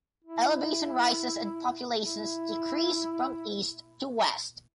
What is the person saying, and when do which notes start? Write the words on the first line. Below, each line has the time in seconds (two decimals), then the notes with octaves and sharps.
Elevation rises and populations decrease from east to west.
0.24 E4
2.01 E4